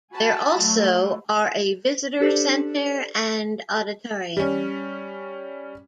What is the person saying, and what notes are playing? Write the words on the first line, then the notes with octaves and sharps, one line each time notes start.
There also are a visitor center and auditorium.
F#4 G#5 A5 B5
F#3 A3
D4 G4 A4 C5 D5
G3 C#4